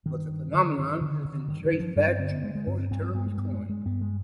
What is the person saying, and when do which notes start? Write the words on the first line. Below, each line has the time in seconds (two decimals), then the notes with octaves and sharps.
But the phenomenon has been traced back to before the term was coined.
0.06 G2 D#3
0.30 G2
0.53 D3 D#3
0.78 G2
1.01 D3
1.25 D3
1.48 G2 D#3
1.65 D#3
1.72 G2
1.80 F3
1.96 G2 G3
2.07 C4
2.19 D3 C4
2.31 B3
2.43 D3 G#3
2.55 G#3
2.67 G2 C4
2.79 C4
2.91 G2 C4
3.02 C4
3.14 G2 B3
3.27 G#3
3.38 G2 B3
3.53 G#3
3.62 G2
3.69 G#3
3.85 G2 B3
4.01 G#3